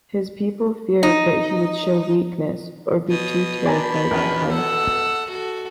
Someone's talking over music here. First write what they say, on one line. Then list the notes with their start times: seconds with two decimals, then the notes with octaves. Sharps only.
His people feared that he would show weakness or be too terrified to fight.
1.03 D#4
3.10 B2 D#6
3.66 D4 D5 G#5 A#5 B5
4.11 A#1 E2 C#4 D4 A#4
4.51 A4 F#5 E6
5.27 F#4 A4